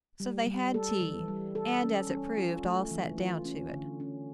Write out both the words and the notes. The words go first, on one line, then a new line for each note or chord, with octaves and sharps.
So they had tea, and, as it proved, all sat down to it.
G3
G3
A4
E3
G3
A4
C#4
C#4
F4
A3
E3
F4
C#4
D3
C#4